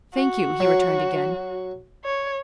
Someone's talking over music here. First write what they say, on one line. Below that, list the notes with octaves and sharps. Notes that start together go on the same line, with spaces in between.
"Thank you," he returned again.
F#4
F#3
C#5